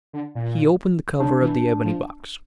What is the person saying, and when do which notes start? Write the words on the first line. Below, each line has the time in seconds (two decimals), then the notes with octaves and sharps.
He opened the cover of the ebony box.
0.13 D3
0.35 A#2
1.19 C#3 D4
1.41 E3
1.85 F3